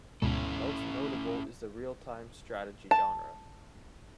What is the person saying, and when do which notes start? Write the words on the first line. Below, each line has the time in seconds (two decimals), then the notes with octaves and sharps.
Most notable is the real-time strategy genre.
0.22 D2 G#2 B2 C#4 E4 A4
2.91 A5